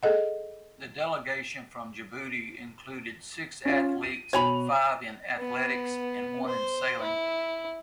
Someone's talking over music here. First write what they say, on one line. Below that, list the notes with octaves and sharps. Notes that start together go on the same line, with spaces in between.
The delegation from Djibouti included six athletes, five in athletics and one in sailing.
G#4 A4 D#5 F#5
C#4 F4
D#7
B2 F#4 C#5 G#5 B5 F7
B3
C5
E4